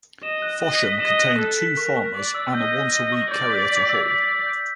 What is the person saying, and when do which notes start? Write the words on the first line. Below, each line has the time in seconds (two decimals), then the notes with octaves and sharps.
Fosham contained two farmers, and a once a week carrier to Hull.
0.23 D#5 E7
0.42 F#6
0.61 D#5 F#6
0.81 B6
1.00 D#5 E7
1.19 F#6
1.39 A4 F#6
1.59 B6
1.77 A#4 C#6
1.97 C#6
2.16 D5 C#6
2.34 E6
2.54 D#5 G6
2.73 A#6
2.93 D#5 A#6
3.12 C#6
3.31 D5 G6
3.50 B6
3.70 B6
3.89 E6
4.08 D5 B6
4.28 E6
4.46 G6